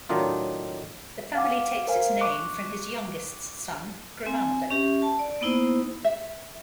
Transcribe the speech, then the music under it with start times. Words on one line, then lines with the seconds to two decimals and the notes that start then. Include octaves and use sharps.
The family takes its name from his youngest son Grimaldo.
0.09 A2 D#3 F#3 D4 D#4 F4
1.35 F5 F#5 G#5 D6
1.87 A#4 C5 F5 G#5
2.21 C#6 D6 F#6
4.26 C4 G#5
4.70 C#4 G4 E5
5.02 A5
5.19 D5
5.41 A#3 B3 D#4 E4 C5
6.04 E5